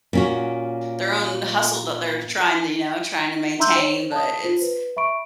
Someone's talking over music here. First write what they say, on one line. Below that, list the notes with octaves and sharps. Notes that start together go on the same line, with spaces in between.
their own hustle that they're trying to, you know, trying to maintain, but it's
A#2 C#4 F#4
D4 E5 A#5 C6 E6 G6
C5 C#5
A5 D#6
F4 C5
B4
E5 B5 C#6 D7